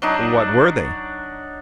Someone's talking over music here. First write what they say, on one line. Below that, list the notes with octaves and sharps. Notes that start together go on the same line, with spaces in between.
"What were they?"
F#3 D4 D#4